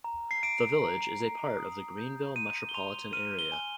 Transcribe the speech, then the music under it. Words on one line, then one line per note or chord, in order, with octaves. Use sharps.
The village is a part of the Greenville Metropolitan Area.
A#5
C7
A#5 D7
A#5
A#5
D#6
G6
C6 D#7
G7
C6 F7
F6 D#7
G7
G#5